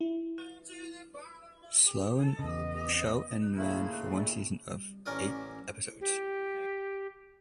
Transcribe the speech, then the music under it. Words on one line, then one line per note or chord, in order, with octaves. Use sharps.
Show, and ran for one season of eight episodes.
E4
E2 C#3 B3 D#5
D#2 A#2 C#3 A3 E4 F4
A1 C#4 A#4 D5 D#6
G4